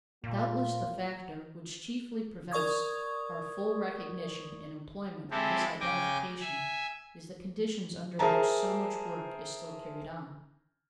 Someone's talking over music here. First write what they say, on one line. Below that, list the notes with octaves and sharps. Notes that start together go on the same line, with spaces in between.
Doubtless the factor which chiefly prevents our full recognition and employment of this identification is the conditions under which so much work is still carried on.
A#2 A#3 F4
A#4 D5 C#6 D#6 G#6
G#3 C4 E4 G4 A4
C#3 G5 G#5 D6 A#6
E5 G#5
G#4 A#4 C5 E5 A5 A#5